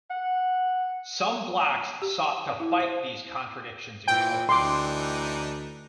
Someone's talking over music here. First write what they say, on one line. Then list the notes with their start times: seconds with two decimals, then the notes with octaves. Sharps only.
Some Blacks sought to fight these contradictions in court.
0.10 F#5
2.02 G4
2.60 E4
2.80 C5
4.08 A#2 E3 C4 G5
4.49 D2 E3 D4 D#4 C6 D6